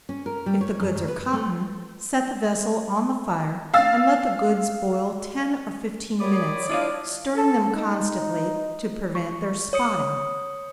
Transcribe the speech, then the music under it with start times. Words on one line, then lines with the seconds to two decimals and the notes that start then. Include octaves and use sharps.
If the goods are cotton, set the vessel on the fire, and let the goods boil ten or fifteen minutes, stirring them constantly to prevent their spotting.
0.09 C#4
0.26 A#4
0.46 G3
0.61 C#5
0.80 F#2
0.96 D2
1.08 B4
1.33 A3
3.74 F5 E6 A6
6.20 F#2 C#5 D5 B5 D#6
6.69 D4 E4 F4 D#5 F5
7.35 A4
7.74 D#4
9.15 C#6
9.73 C#5 D#6 C#7